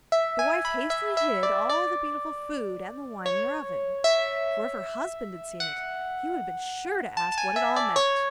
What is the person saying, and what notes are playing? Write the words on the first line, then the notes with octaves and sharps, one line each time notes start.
The wife hastily hid all the beautiful food and the wine in her oven; for if her husband had seen it, he would have been sure to ask what it all meant.
E5
G#5
B5
E5
E5
D5
D5
C#5
E5
F#5
A5
A5
G#5
E5
D5
C#5